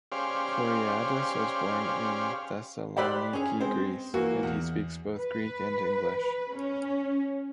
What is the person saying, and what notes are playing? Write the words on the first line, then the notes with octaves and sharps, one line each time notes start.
Voreadis was born in Thessaloniki, Greece, and he speaks both Greek and English.
C#4 G4 G#4 C5 D5 F5
G4 C5 D5 B5 E6 F#6
C#4 G#4
G#3 C4 C5
E3 A#3 F#4
E2
B4
C#4